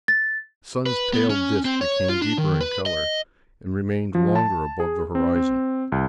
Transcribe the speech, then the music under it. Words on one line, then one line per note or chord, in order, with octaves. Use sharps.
The sun's pale disc became deeper in colour, and remained longer above the horizon.
A6
B4
B3
C#4
C4
C#5
F4
D4
D#3
B4
D#5
F3
A5
G#4
C4
C4
C2